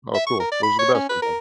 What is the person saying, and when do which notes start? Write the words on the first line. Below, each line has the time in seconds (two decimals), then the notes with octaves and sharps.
Oh, cool. Those are the best ones, then.
0.14 E5
0.26 C#6
0.40 A#4
0.51 D5
0.63 B5
0.79 C#5
0.94 C#4
1.09 B4
1.22 A#4